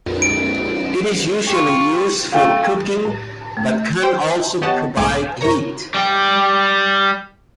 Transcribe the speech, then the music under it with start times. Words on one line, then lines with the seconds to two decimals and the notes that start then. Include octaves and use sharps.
It is usually used for cooking but can also provide heat.
0.22 D7
1.47 F4 G4 C#6
2.32 A3 F4 G5
3.05 A2
3.57 A3
4.02 C5 G5
4.62 B3 G4 C#5 D#5 F#5 A5
4.97 B1 G#2 A3 G#5 D6
5.41 G1 C3 A#4 C#5 A#5
5.94 G3 G5